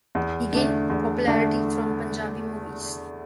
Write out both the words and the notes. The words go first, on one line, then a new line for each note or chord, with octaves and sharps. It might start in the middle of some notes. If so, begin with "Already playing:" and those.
He gained popularity from Punjabi movies.
E2
D3 A3 D4
E2
D3 A3 D4